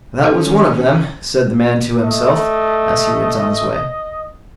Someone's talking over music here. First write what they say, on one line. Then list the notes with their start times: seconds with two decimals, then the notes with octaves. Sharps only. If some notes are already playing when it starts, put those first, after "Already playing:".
'That was one of them', said the man to himself, as he went on his way.
0.24 D#3 C#4 D#4 A4
2.05 A3 D#5